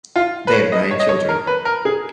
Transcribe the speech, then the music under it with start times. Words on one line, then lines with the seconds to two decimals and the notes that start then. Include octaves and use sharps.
They have nine children.
0.16 F4
0.47 B4
0.53 C#5
0.72 D#5
0.91 C#5
1.00 D#5
1.09 C#5
1.29 A#4
1.47 B4
1.65 A#4
1.85 G#4